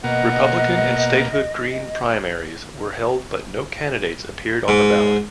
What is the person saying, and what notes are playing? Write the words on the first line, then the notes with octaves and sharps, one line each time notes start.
Republican and Statehood Green primaries were held but no candidates appeared on the ballot.
B2 A#3 D#5 F#5
G#2